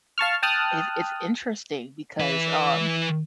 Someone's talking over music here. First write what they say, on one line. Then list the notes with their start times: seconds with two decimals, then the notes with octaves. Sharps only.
it's it's interesting because, um,
0.18 F5 A5 C#6 F6
0.43 G5 A5 D#6 F6 F#6
2.20 E3 B4